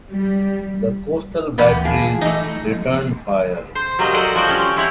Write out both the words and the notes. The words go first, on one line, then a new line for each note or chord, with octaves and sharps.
The coastal batteries returned fire.
G3
E3 A#3 B3 G4
F3 G#4
E3 A3 D#4
C5
F#3 G3 A#3 D#5
A4 C5 D5 D#5 F#5
F3 F#4 G5
G3 C#4
C4 E4 C#5 F#5